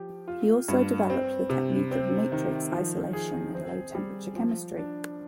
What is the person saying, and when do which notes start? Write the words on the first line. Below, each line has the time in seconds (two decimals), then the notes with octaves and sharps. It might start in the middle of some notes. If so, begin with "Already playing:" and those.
He also developed the technique of matrix isolation in low-temperature chemistry.
Already playing: F3 G4
0.28 F4
0.68 G2
1.10 C4
1.50 C3
1.91 C4
2.32 D#3
2.72 F3
3.13 G#4
3.55 C4
3.95 G3
4.36 F3
4.77 D4